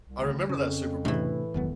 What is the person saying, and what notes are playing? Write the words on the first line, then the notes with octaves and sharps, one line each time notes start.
I remember that Super Bowl.
C2
D2
F2 C#3
A2 C3 E3 A3 D4
E1 C#2 F#2 D#3 B3